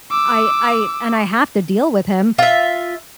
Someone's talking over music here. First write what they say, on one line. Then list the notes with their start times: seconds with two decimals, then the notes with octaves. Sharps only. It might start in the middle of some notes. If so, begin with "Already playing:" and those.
I I and I have to deal with him,
0.11 D6 E6
2.39 F4 E5